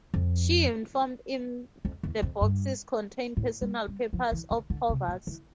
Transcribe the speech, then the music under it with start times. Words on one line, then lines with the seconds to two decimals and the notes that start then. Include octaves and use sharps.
She informed him the boxes contained personal papers of Hoover's.
0.14 F2
1.85 F2
2.03 E2
2.22 F2
2.41 G2
3.37 A2
3.61 G3
3.88 G3
4.13 F3
4.32 E3
4.51 D3
4.70 D3
4.89 C3
5.08 A#2
5.27 E3